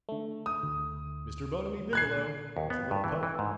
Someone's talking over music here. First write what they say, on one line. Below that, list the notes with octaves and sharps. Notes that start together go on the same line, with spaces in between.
Mr. Bonamy Biggielow was a little poet.
D3 A3
D#6
D2
A#2 G#5 F#6 G#6 C7
D#2
B3
G2
E3
E3
G#2